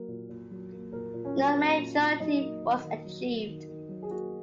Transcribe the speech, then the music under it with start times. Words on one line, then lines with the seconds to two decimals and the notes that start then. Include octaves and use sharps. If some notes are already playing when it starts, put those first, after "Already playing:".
No majority was achieved.
Already playing: F#3 A#3 A#4
0.08 A#2
0.29 A#2
0.51 F#3
0.72 A#3
0.92 A#2 A#4
1.14 A#2
1.25 C#4
1.35 F#3
1.56 A#3 C#4
1.77 A#2
1.99 A#2
2.20 F#3 D#4
2.41 A#3
2.62 D#3
2.84 D#3
3.05 F#3
3.26 A#3
3.47 D#3
3.68 D#3
3.89 F#3
4.03 G#4
4.10 A#3 F#4